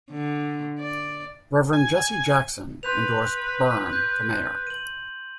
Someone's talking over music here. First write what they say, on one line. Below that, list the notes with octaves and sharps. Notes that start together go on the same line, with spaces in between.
Reverend Jesse Jackson endorsed Byrne for mayor.
D3
D5
G#5
B4 C6 G6 F7
G6
D#7 F#7